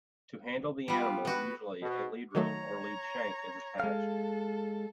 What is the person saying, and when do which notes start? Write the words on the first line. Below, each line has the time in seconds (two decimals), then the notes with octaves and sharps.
To handle the animal, usually a lead rope or lead shank is attached.
0.88 G3 B3 F4
1.25 B3 F#4 B4
1.82 B2
2.35 D#3 F#3 A3 C#5 A#5
3.80 G#3 A4 F5